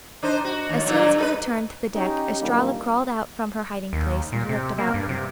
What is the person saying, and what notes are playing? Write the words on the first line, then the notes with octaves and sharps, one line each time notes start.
As soon as he returned to the deck Estralla crawled out from her hiding-place and looked about her.
D4 D#4 C5
F#4
D#2
G2 A#2 F#3
D#4 A4 B4
C#4 D#4 G4
F#2 A#2 D#3 G3 A#3 D4
D#2
A#2
C3
A#3
G2
C3